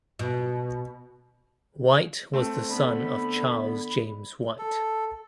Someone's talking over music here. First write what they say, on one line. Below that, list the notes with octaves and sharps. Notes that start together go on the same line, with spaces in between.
Whyte was the son of Charles James Whyte.
B2
A3 C4
D3 B3 B5
A4